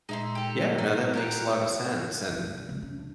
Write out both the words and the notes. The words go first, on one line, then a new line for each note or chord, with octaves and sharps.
Yeah. No, that makes a lot of sense. And,
A#2 G#3 D#4 G#4 E5 C6
G4 A4
D#4
G4 A#4 F#5
A1
B2
C#2
C#4
D4